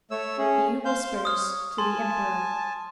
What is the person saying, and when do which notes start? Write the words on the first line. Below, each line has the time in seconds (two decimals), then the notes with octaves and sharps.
He who whispers to the emperor.
0.11 A3 C#5 E6
0.38 C#4 G#4
0.85 C5 F5 G6
1.25 C#5 D#6 F6
1.78 G#5 A5 C6